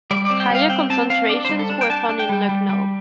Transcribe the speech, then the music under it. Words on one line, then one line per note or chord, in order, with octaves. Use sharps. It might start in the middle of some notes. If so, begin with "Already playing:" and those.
Higher concentrations were found in Lucknow.
G3 D5
C4 D5
G5
G3 F5
C4 G5
C4 A5
C4 F5
D4 D5
G3 C5
A4
D4
G5
D4 A5
D4
G5
G3
G3
G3